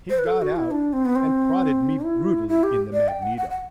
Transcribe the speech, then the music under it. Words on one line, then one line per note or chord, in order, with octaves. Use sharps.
He got out, and prodded me brutally in the magneto.
C5
B4
A4
F#4
E4
D4
C4
B3
C4
E4
E4
G4
D5
G5
F#5
F#5
F#5